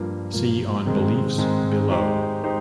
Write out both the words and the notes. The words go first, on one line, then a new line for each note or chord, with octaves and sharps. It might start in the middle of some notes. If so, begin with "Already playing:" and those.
See on "Beliefs" below.
Already playing: G2 F3 A#3
G2 F3 A#3
G#2 D#3 G#3 C4
G#2 D#3 G#3 C4
G#3 D#4 G4 C5
G#3 D#4 G4 C5